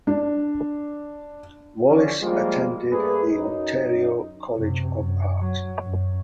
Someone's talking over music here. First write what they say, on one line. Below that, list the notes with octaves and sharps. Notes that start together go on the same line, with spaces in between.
Wallace attended the Ontario College of Art.
D4
D3 E3 F3 C#4
F3 G3 G#3 A#3 F4
G2 A3 A#3 G#4 B4
F#2 D#4
F#2 C3
F#2
F#3
F#2